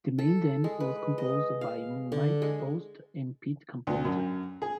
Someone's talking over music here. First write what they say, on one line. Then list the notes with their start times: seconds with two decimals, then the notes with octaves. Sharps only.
The main theme was composed by Mike Post and Pete Carpenter.
0.19 A4
0.64 G#3
0.80 B4
1.18 D#5
1.61 F5
2.12 D3
2.42 G#3
3.87 D2
4.05 F#2
4.62 G#4